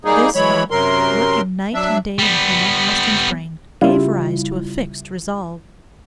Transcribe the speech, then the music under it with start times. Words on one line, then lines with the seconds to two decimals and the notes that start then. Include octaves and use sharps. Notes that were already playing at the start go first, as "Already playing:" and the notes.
This thought, working night and day in Clement Austin's brain, gave rise to a fixed resolve.
0.05 G3 A#3 D#4 G#4
0.35 E3 F#3 G#3 C#5 B5
0.71 F#2 C3 F#3 A#4 C6
1.74 F#3 D4 E5
2.19 G3 B3
3.82 C#3 G3 E4 F4